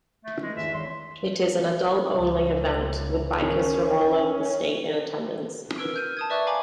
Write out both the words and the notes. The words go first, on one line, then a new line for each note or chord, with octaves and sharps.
It is an adult-only event, with bikers from all over the state in attendance.
A3
E3 G#3 A3
G#1 E2 E5
G#1 C#5 C6
C#2
D#3 C#4
A#4 B4 E6 G#6 D7
F6 G6 D#7
A5 D#6 G#6
B4 D5 E5 C#6 D6 F#6
F5 G5 G#5 A#5 B5 D6